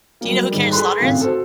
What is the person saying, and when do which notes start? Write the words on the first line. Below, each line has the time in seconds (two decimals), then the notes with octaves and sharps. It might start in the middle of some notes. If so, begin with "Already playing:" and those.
Do you know who Karen Slaughter is?
0.21 F#3 G3 A#3
0.50 G#2 D#3 G3 G#3
0.71 G#4 A4 B4 B5 C6 F#6
1.00 G#1 A2 C#3 F5
1.19 F#4 A4 C5